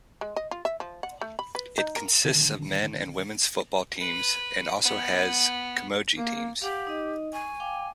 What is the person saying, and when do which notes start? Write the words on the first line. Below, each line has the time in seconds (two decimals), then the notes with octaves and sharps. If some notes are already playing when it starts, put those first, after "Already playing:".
It consists of men and women's football teams and also has camogie teams.
0.21 G#3
0.36 D#5
0.51 F4
0.65 E5
0.80 F3
1.03 F#5
1.21 A3
1.39 B5
1.55 B4
1.78 D#4
1.96 A#4
2.25 A#1 D3 D#3
4.01 B4
4.83 B3
6.17 A#3
6.62 G4 F5 F#5
6.87 D#4 D#5
7.33 G#5 C#6
7.60 F5 G5 D6